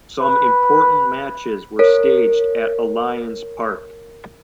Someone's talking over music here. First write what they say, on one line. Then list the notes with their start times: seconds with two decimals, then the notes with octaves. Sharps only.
Some important matches were staged at Allianz Parque.
0.21 B4
1.79 A#4 C#5